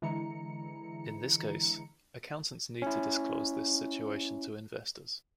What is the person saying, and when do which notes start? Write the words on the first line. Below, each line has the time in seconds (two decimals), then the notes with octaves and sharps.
In this case, accountants need to disclose this situation to investors.
0.02 D3 E3 G#3 E4 A#5 C#7
2.82 C#4 E4